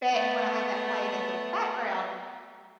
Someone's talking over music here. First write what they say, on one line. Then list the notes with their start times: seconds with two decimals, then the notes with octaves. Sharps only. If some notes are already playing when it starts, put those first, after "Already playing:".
but when I have that playing in the background,
0.11 A3 B3